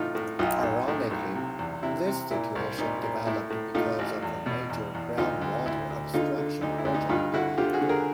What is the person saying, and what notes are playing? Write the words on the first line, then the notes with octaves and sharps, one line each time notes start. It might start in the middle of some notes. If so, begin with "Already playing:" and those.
Ironically, this situation developed because of a major groundwater abstraction project.
Already playing: A2 E3 D#4 F4
A2
B1 D#4 F4
B1
A2
B1
C3
E2
C3 E4
C3
A#2 E4
C2
A#2 D#4
A#2
A2 E4
A2
A2 D#4 F4
A1
E2
B2
E2
E2
D2 D#4 F4
D2
D2 E4
D2
D3 D#4 F4
D3
D2 D#4
E4
D2
D#4
G2 D#4 F4
D3 E4 F#4
D3 F4 G4
F#4 G#4
D3
G#4 A#4